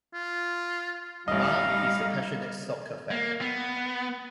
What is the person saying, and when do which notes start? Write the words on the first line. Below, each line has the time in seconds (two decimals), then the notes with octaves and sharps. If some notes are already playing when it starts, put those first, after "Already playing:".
Mah is a passionate soccer fan.
0.14 F4
1.28 A1 G3 D#4 D#5 F5
3.11 A#3
3.41 B3